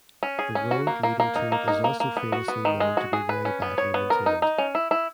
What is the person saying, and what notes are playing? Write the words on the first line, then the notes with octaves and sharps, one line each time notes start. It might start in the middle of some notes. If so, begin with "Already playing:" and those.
The road leading to it is also famously known to be very badly maintained.
C#4
G#4
C#4
F#4
A#3
A#3
A#3
D#4
A#3
D#4
A#3
A#3
B3
F#4
B3
D#3
G#3
F#4
G#4
B4
C#4
B3
C#5
B3
A#4
D#4
D#4
C#4
E4
E4